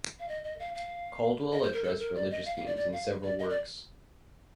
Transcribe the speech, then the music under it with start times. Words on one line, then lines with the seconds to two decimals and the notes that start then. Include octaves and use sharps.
Caldwell addressed religious themes in several works.
0.19 F5
0.29 D#5
0.44 D#5
0.60 F5
0.75 F5
1.52 D#5
1.63 C5
1.73 A#4
1.84 A4
1.99 A#4
2.15 D5
2.31 D#5
2.46 F5
2.57 F5
2.66 D5
2.77 D5
2.93 F5
3.23 D5
3.39 D#5
3.50 D5